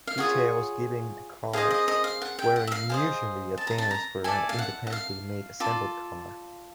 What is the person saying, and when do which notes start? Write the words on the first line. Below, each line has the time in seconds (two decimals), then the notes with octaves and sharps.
Details given the cars were unusually advanced for an independently made assembled car.
0.07 F5
0.18 F4 G#4 C#5 F#5
1.53 G#4 C5 D#5 F5
1.71 D#5
1.88 D#5
2.04 F5
2.22 F#5
2.39 G5
2.56 F#5
2.67 E5
2.72 F5
2.89 G#4 C5 D#5 F5
3.58 A5
3.67 A#5
3.78 A5
3.91 A#5
4.24 E4 A4 D5 G#5
4.49 F5
4.59 F#5
4.87 F#5
4.93 F5
5.60 F4 A4 D5